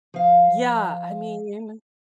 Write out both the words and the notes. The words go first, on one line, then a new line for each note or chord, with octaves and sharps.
Yeah, I mean
F3 F5